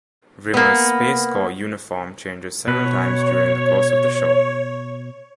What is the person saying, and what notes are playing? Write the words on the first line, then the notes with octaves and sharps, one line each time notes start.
Rimmer's Space Corps uniform changes several times during the course of the show.
A#3 B3
B2 B4 C#5